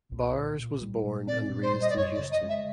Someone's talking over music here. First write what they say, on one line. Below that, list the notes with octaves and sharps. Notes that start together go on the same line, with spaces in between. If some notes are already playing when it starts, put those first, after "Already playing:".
Bowers was born and raised in Houston.
C2
A#2
A#2
G3
A#2
C4 D5
A#2
C5
G3
D#5
D5
F#2 C#5
D5
C#3
D#5
G#3
E5